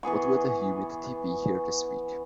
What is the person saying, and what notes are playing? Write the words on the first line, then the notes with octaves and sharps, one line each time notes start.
What will the humidity be here this week?
E3 B3 G#4 C#6